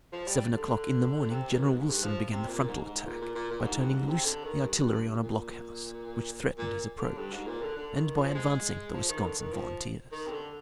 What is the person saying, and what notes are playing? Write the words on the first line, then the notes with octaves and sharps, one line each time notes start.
At seven o'clock in the morning General Wilson began the frontal attack by turning loose the artillery on a block-house, which threatened his approach, and by advancing the Wisconsin Volunteers.
F3
G3
D3
D3
C3
A#2
G2
G#2
G2
F3
C3
A#2
G#2
G#2
A#2
A#2
A#2
A#2
G2
G#2
G2
G#2
C3
D3
D#3
G2
G2
A#2
A#2
D3
G2
G#2
A#2
D3
D3
D#3
F3
G#3
F3
D#3
D3
D#3
F3
D#3
C3
D3